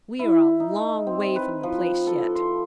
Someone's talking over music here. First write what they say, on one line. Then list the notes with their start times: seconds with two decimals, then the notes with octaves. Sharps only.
"We are a long way from the place yet."
0.19 E4
0.60 D#4
1.07 C4
1.36 B4
1.63 F3
2.07 A4
2.35 C6